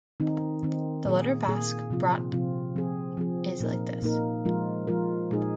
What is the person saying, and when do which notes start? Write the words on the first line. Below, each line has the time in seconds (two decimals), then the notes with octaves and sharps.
The letter Basque brought is like this.
0.20 D#3 C4 D#4
0.63 D#3 C4 D#4
1.05 A#2 A#3 G#4
1.47 A#2 A#3 G#4
1.90 C3 F3 C4 F4
2.32 C3 F3 C4 F4
2.76 F3 C4 G#4
3.17 F3 C4 G#4
3.60 A#2 A#3 D#4 A#4
4.02 A#2 A#3 D#4 A#4
4.45 F3 G#3 F4 A#4
4.87 F3 G#3 F4 A#4
5.31 A#2 G#3 D#4 G#4